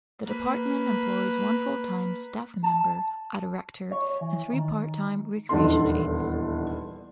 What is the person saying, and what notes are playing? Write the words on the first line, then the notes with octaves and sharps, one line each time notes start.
The department employs one full-time staff member, a director and three part-time recreation aides.
A#3 B4
A5
C#5
E3
D#3
D#1 E2 D4 D#4 A4 C6